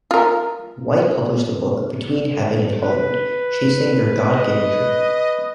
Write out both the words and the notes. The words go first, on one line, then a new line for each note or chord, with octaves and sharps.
White published the book "Between Heaven and Hollywood: Chasing Your God-Given Dream".
F4 A#4
B4
D#5